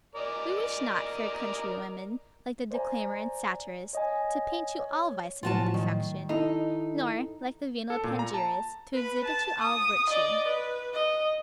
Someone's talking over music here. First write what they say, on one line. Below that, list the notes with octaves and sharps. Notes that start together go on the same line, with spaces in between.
We wish not, fair countrywomen, like the declaimer and satirist, to paint you all vice and imperfection, nor, like the venal panegyrist, to exhibit you all virtue.
A#4 D5 D#5
C5 D5 E5 G#5 A#5
C#5 D#5 F#5 G#5
C#5
A2 F3 F#3 F4 F#4 A5
D#3
D#4 E4 A4
A4
A#2
A#5
A5
B4 B5
A5
D#6
D5 D#5
B4
D#5